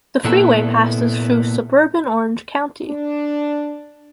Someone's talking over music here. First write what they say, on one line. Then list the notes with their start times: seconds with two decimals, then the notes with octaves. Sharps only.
The freeway passes through suburban Orange County.
0.24 A#2 A#3 B3 E4 A4
2.87 D4